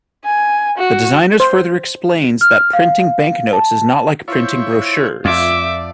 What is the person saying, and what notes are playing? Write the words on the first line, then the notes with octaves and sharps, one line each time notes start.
The designers further explains that printing banknotes is not like printing brochures.
G#5
F#4
C5
F6
F5
A5
E4 F4 C5 C#5
F2 A3 F4 D5 E5 D6